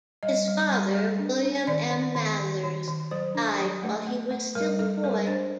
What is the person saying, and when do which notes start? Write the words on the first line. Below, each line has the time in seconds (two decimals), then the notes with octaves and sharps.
His father, William M. Mathers, died while he was still a boy.
0.23 G3 D#5
0.48 G3
0.71 G3
0.95 G3
1.19 D4
1.43 D4
1.67 D#3 D5
1.91 D#3
2.15 D#3
2.40 D#3
2.63 D#3
2.88 D#3
3.11 F#3 C5
3.35 D4
3.59 F#3
3.83 A3
4.07 A3
4.31 A3
4.55 G3 A#4
4.79 G3 A4
5.04 G3 A#4
5.27 D4 C5